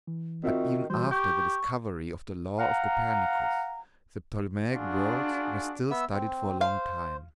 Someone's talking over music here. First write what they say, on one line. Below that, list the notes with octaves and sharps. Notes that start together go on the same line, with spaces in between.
But even after the discovery of the law of Copernicus the Ptolemaic worlds were still studied for a long time.
E3
D#3 C4 F4 F#4 E5
E3 G3 F#4 C5
G4 C#6 G6
F5 F#5 A#5
D4 F4 F#4 G#4
B3 E5 E6
C4
C5 F5